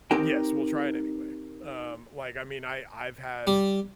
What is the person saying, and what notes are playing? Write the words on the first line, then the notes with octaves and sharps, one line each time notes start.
Yes, we'll try it anyway. Um, like, I mean, I I've had,
C4 D#4 G4 A#4 G5
G3